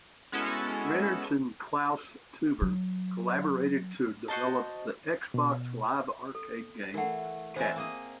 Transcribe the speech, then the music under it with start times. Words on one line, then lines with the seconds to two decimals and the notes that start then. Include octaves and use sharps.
Reynolds and Klaus Teuber collaborated to develop the Xbox Live Arcade game "Catan".
0.32 G#3 B3 C#4 E4 F#4 A4
2.62 F#3
4.28 F#4 C5 D#5 A5
5.34 B2
6.35 A4
6.94 E3 A3 A#4 F#5
7.56 E3 C4 C5 E5 G#5
7.76 A#3 G#4 D#5